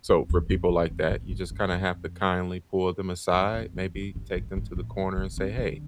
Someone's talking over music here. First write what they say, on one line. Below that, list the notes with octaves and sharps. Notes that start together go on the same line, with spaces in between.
So for people like that, you just kinda have to kindly pull them aside, maybe take them to the corner and say, "Hey,"
F2
E2
F2
F2
F2
G2
G#2
F#2
F2
F2
F2
F2
F#2
G2
G#2
G#2
A2
B2
B2
C3
D3